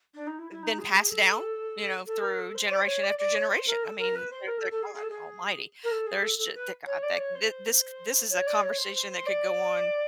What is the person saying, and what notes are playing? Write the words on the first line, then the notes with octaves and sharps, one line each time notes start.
eh, been passed down, you know, through generation after generation? I mean, they're they're god almighty. There's j thank god that thi this c this is a conversation that could go on
D4
D#4
E4
E4
D#4
G#4
G#4
A4
A4
A#4
A4
C5
D5
C5
C#5
D5
D5
C#5
C5
A#4
A4
A#4
B4
C5
A#4
A4
A4
G#4
G#4
A4
G#4
A#4
A4
G#4
A4
A4
B4
C#5
D5
C#5
C5
C#5
D5
C#5
C5
C5
C5
D5